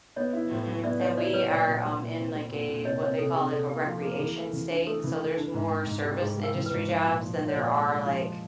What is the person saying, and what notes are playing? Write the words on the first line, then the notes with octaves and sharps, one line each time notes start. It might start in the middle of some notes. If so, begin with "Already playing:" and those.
Mhm. And we are, um, in, like, a what they call, like, a recreation state. So there's more service industry jobs than there are like
B3 C#5 D#5
E4
A2
F#3
B3 D5 E5
F#3 C#5 D#5
E4 C5 D5
F#3 B4 C#5
A#2 C5 D5
A#2
G3
A#2
C4
G3
A#2
A#2
C3 C#5 D#5
C3 C#5 D#5
C3 A4
C3 G#4
C3 A4
A#3 G4
F3 F#4
A#3 G#4
E3 G#4
A3
E3
D4
A3 A4
E3
A3
D4
G#2
G#2
G#2
G3
G4
G#2 G#4
G3
A#4
E3
B4
G#2
F3 C5
A#2
F3
F3
C#5
A#2 C5 D5
G#3
G#3
F3